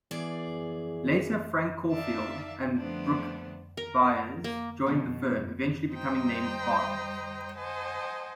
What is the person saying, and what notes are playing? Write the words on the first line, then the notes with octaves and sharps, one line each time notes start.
Later, Frank Caufield and Brook Byers joined the firm, eventually becoming named partners.
E2 G#4 D5
D#3 D5 E5 F5 A5
D3 F3 A3 B3 C4 D4
A#4
A#3
F2 B2
G3 C5 D#5 G5 A#5
C5 D#5 F#5 G#5 A5